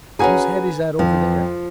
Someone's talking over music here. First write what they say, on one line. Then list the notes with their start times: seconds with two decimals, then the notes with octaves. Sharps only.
"Whose head is that over there?"
0.19 C#4 F#4 G#4 B4 G#5 A#5
0.99 F2 F3